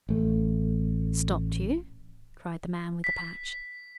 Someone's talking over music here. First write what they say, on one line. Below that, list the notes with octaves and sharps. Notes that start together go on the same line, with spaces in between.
"Stopped you?" cried the man with the patch.
A1 A3
B6